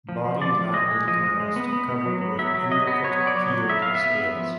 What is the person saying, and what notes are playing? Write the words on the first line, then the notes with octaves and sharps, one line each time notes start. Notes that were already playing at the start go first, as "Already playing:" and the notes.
Body laterally compressed, covered with imbricate keeled scales.
F3
F3
F3 D5
F3
G#3 D#5
G#3
F3 D#5
G#3
G#3
B3
B3
B3
F#3
B3
F#3 E5
F#3
F#3 D#5
B3
F#3 C#5
B3
D5
F#3 C#5
F#3
B3 E5
B3 F5
E5
B3
B3
F3